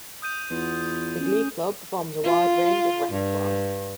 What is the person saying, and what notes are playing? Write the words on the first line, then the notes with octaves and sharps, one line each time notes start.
The Glee Club performs a wide range of repertoire.
D#6 G6 D#7
E2 B3 F4
C#4
F4
G2